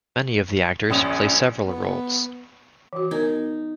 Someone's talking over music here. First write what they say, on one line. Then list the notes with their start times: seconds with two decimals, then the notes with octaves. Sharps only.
Many of the actors play several roles.
0.90 A#1 C#4 D#6
1.66 B3
2.93 E3 F#4
3.11 B3 D#4 A#4